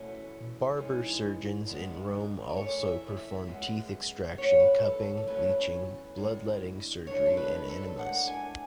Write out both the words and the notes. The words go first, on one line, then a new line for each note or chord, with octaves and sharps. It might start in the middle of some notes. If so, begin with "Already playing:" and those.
"Barber surgeons" in Rome also performed teeth extraction, cupping, leeching, bloodletting, surgery and enemas.
Already playing: E2 B2 A3 C#4
G#2 E3 G#3 C#4
C#3 G#3 B3 D4
D5
A2 E3 A3 C#5
E5
E5
F#2 C#3 G#3 B3
A2 F#3 B3 C#5
B4
A4
A4
E2 C#3 F#3 A3 C#4 B4
A2 G#3 D4
F#2 D3 G#3 D4 C#5
A4
B4
A4
A2 G#3 D4 F#5
G#5